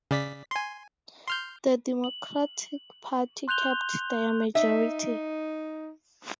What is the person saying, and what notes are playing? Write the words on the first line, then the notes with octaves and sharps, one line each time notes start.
The Democratic Party kept their majority.
C#3 D5 B6
G#5 C6
C6 F6 G6
F#7
C6 F#6 G6 F7 G7
D#4 E5